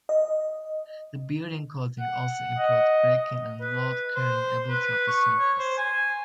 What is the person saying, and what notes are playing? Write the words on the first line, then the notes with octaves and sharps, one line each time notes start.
The bearing coating also improved break-in and load-carrying ability of the surface.
D#5
F#5
D#5
B4
C5
B4
C#6
C#5
C5
G#5